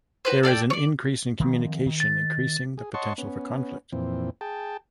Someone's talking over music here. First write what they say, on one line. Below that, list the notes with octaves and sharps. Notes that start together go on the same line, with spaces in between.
There is an increase in communication increasing the potential for conflict.
F#4 G4 B4 C5
A4 D5 F5 G5
C#5 D5
D#3 F3 C4
D#3
A6
G#4
C#5 D#5 F#5 A5 C6 C#6
B3 C#4
F2 A#2 E3 C4
G#4 G5 A5